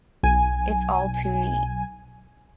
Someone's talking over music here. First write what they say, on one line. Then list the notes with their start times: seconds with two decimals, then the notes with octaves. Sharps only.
It's all too neat.
0.23 B1 G#5